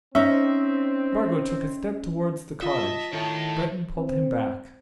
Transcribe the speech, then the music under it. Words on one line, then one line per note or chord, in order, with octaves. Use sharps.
Spargo took a step towards the cottage: Breton pulled him back.
C4 C#4 D#4 E5
F4 D#5 E5 A5
D#3 E4 A4 C#5 A5
C4